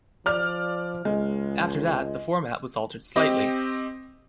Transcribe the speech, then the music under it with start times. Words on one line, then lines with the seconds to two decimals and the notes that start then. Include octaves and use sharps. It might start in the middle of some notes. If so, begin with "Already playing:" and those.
After that, the format was altered slightly.
0.26 F3 D5 F6 F7
1.05 C#2 G#3
3.16 C4 G4 D#5